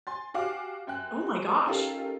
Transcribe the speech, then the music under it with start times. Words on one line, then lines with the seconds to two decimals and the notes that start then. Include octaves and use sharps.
Oh my gosh.
0.07 G#5 C6 A6
0.34 F#4 G4 F5 G#5 D6 F6
0.87 F#2 G5 G#5 F#6
1.66 C#4 D#4 F4 G4 A4 A#4